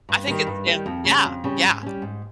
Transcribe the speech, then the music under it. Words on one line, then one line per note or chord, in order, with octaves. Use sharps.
I think it's stands Yeah, yeah.
G2
D#3 G3
G2
D#3 G3
F2
C#3 G3 C#4
F2
C#3 G3 C#4
G#2
G3 C#4
G#2